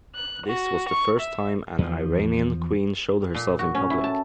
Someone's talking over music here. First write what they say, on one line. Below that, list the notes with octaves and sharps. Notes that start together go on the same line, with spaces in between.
This was the first time an Iranian queen showed herself in public.
F#6
F#4
C#6
E5
E2 F3
A#2
F#4
C#4
E4
A5